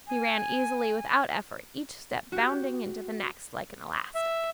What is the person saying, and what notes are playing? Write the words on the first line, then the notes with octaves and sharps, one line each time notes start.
He ran easily, without effort, each step bounding into the next like an elastic.
G#5
F#4 G4
E5